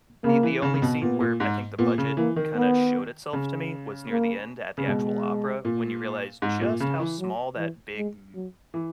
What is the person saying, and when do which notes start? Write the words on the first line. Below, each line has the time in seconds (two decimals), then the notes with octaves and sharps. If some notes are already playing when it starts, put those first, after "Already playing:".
The the only scene where I think the budget kinda showed itself to me, was near the end at the actual opera, when you realize just how small that big m
0.24 C#3 A#3
0.43 E3
0.62 C#3
0.74 C#3
0.82 B2
1.01 A#2 B3
1.20 A#2
1.40 G#2
1.79 A#2 B3
1.98 C#3
2.17 E3 A#3
2.36 D#3
2.56 B3
3.33 C#3
4.10 A#3
4.78 C#3
4.87 B2 G#3
5.65 A#2
6.42 G#2
6.61 A#2
6.80 C#3
7.00 E3
7.19 F#3
7.58 E3
7.96 G#3
8.35 F#3
8.74 E3